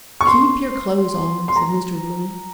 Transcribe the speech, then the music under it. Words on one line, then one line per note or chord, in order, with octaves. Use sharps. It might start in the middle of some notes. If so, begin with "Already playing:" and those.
"Keep your clothes on," said Mr. Bloom.
C#6
C6
C6
A#5